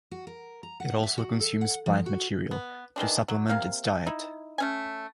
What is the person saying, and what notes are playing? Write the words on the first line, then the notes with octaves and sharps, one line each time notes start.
It also consumes plant material to supplement its diet.
F#4
A#4
A#5
F#5
E5
F#4
A4
F#5
F3
F#4
B3
D#3 E3 G#3 D4
F#3
C3 A#3 F5
D#4 E4
A3 C#4 G#5